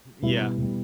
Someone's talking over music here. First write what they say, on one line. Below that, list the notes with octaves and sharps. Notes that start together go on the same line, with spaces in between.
Mm, yeah.
B2 G3 E4
E4
B2
G3